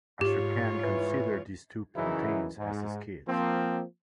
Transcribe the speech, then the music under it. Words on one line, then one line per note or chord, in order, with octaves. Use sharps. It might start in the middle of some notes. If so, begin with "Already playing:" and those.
Ashokan consider these two plantains as his kids.
G#2 F4 G4 C#5
E3
F#2 C#3 E3 D#4 E4 F#4
G#2
F3 A#3 C4